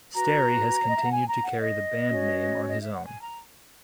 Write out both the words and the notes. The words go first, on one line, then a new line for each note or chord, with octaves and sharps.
Sterry has continued to carry the band name on his own.
F#4 B4 A#5
C#5
D#5
E5
F#5
G#5
A#5
F#5
D#5
C#4 F#4 C#5
D#5
E5
F#5
G#5
A#5